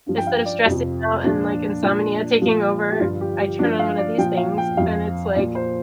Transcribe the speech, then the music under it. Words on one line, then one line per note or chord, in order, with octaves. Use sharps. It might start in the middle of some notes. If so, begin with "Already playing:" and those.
Instead of stressing out and, like, insomnia taking over, I turn on one of these things, and it's like
G2 F3
G5
F5
D5
F2 C3 F3
A#2 F3 D4
A#2 F3 D4
A#2 F3
G4
G2 D3 F3 F4
G4
G4
G2 F3 D4
F5
D5
A#2 F3 G5
F5
G5
F2 F3 F5
A#2 F3 D5
C5